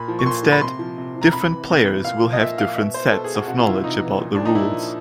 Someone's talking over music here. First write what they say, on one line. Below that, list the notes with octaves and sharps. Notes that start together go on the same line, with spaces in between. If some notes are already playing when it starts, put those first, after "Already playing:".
Instead, different players will have different sets of knowledge about the rules.
Already playing: A#2 B5
F3
C#6
A#2 C6
F3
B5
C3 C6
F3
C3
F3
A#5
C3 B5
E3
C3
E3
A#2 F5
F3
D#5
A#2 E5
F3 F5
B2 E5
C5
B2 A4
G#4
F#4
C3 F#4
F4
E3 E4
C3 D#4
E3
A#2
F3 D4
D#4
A#2 E4
F3